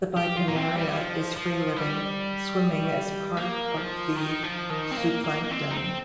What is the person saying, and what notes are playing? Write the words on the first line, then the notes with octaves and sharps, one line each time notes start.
The bipinnaria is free-living, swimming as part of the zooplankton.
G4
F4
A#3
C4
G3
F3
F3
G3
A#3
F3
D#3
F3
D#3
C4
A#3
A#3
A#3
C4
D#4
C4